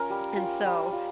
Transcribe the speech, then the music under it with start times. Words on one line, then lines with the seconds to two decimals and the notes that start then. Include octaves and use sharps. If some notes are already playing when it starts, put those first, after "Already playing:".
and so
Already playing: C#4 F4 A#4
0.10 G3
0.37 F4
0.65 G3
0.93 F4